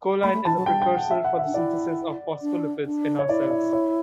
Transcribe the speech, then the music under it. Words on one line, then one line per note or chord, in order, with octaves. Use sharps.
Choline is a precursor for the synthesis of phospholipids in our cells.
A3 B5
A3
E3 A5
F#3
G3 G5
G5
F#5
E5
F#5
E5
D4
E4 D5
D4
D4
C#5
E4 D5
D5
C#5